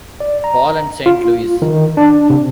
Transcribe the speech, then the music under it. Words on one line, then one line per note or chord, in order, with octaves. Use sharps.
Paul and Saint Louis.
D5
A#5
F4
D#3
D4
C3